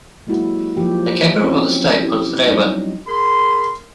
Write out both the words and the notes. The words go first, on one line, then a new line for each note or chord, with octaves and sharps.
The capital of the state was Rewa.
F#3 G#3 A#3 E4 F#4 G4
F3 F#3 A#3 G4
C4 C#4 E4 F#4 E5
E4 G4
F#3 G3 D#4 D#5
G#4 A#4 B5 C6